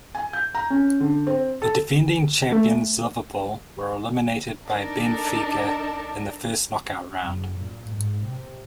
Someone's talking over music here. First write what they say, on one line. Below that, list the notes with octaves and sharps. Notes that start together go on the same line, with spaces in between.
The defending champions Liverpool were eliminated by Benfica in the first knockout round.
G#5
G6
A#5
C#4
D3
C4
A4
A3
D4 D#4 A4 A#4 D5 A5
F#1
A#2
G#2
C3